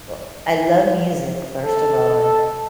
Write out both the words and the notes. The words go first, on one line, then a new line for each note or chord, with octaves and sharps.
Wel I love music, first of all, and
A4